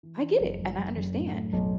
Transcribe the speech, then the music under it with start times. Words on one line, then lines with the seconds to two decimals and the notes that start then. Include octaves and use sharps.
I get it, and I understand.
0.03 E3
0.21 E3
0.40 F#1
0.59 F#1
0.77 F#1
0.97 F#2
1.15 A2
1.33 A2
1.53 B1